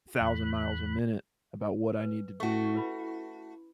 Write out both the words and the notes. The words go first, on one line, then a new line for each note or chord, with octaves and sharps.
thousand miles a minute about what I need to do,
E2 B5 F#6
B4 G#5
A3 C#4 F#4 C#6
E4 B4 B5